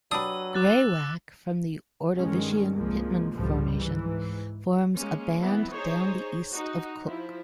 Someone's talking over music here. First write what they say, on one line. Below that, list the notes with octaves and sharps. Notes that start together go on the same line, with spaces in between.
Greywacke from the Ordovician Pittman Formation forms a band down the east of Cook.
F#3 D4 G4 B4 D#6 E6
D6 F#6 A6
G2 D#3 G#3 C#4
C2 F3 G#3 A#3
G1 C#2 A2 D3 F3 G3
G#2 E3
G#3 A#3 C#4
E3 B3
D#4 G#4 C5 C#5
D#4 F#4
F3 E4